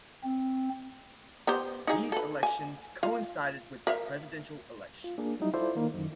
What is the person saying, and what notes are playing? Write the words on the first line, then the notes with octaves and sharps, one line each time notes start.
These elections coincided with the presidential election.
C4
B3 G4 C5
D#4 G#4
A4 B4
G#5
F4 F5
A#4 E5 F5
F4
A#3 D4 G#4
F#3 G3 D#4 E4
E4 F4 A4 C5 D5
D#3 A#3 D#4
F#2 D#3